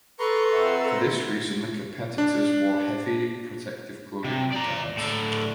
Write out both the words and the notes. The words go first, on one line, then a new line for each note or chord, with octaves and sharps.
For this reason the competitors wore heavy protective clothing and guards.
A4 B4 A#5 C6 C#6
F2 C5 E5 F#5
D4
C3
D5 A#5
A2 D3